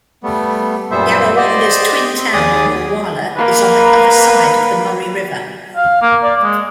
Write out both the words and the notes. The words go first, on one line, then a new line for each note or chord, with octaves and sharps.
Yarrawonga's twin town of Mulwala is on the other side of the Murray River.
G3 A3 B3
F#2 A#2 G3 B3 C5 E5
G4 C5 D5 D#5
C4
D#2 G#4 D5 D#6
A#3 B4
F5
A#3
D5
G#3